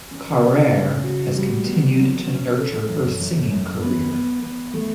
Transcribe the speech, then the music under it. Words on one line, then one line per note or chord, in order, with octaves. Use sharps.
Carrere has continued to nurture her singing career.
C#4
C#4
C#3
F#4
G3
B3
F#3
C#4
A4
F#2
F#2
F#2
B3
B3
B3
A3